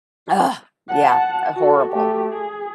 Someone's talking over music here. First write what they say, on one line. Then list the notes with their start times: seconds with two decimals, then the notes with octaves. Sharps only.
ugh, yeah, uh horrible.
0.88 F#5 A5
1.55 F#4 A4
1.90 A3 G4
2.32 G#4